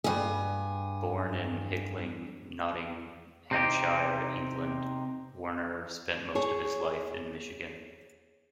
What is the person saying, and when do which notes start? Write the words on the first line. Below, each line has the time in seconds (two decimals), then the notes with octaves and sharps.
Born in Hickling, Nottinghamshire, England, Warner spent most of his life in Michigan.
0.04 G2 G#4
3.51 C3 C4 D#4 G4
6.35 G#4 C#5